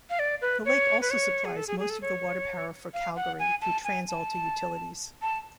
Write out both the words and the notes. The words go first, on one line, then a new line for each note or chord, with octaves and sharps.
The lake also supplies most of the water power for Calgary through TransAlta Utilities.
F5
D5
B4
C#5
B4
C#5
G#4
A4
G#4
G#4
A4
C#5
F5
F#5
G#5
A5
G#5
A5
A5